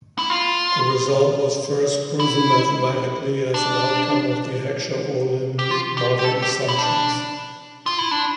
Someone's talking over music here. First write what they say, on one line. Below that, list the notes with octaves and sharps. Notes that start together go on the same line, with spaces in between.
The result was first proven mathematically as an outcome of the Heckscher-Ohlin model assumptions.
E4
F4
E4
D4
G4
F4
G4
G4
A4
G4
E4
D4
F4
E4
D4